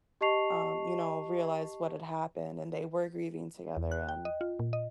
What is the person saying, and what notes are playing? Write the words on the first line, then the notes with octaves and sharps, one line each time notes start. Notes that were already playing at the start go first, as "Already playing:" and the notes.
um, you know, realized what had happened, and they were grieving together, and,
G4 D#5 A5 C#6 C7 F7
E2
F#6
G5
D#5
F4
A#2
D#5